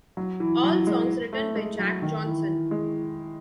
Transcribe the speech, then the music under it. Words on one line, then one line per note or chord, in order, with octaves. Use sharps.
All songs written by Jack Johnson.
F#3
E3
F#3
G#3
A3
G#3
F#3
D#3
E3
G#3